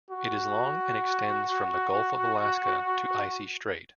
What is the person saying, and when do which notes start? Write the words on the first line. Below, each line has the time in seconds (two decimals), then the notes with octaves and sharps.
It is long and extends from the Gulf of Alaska to Icy Strait.
0.11 F#4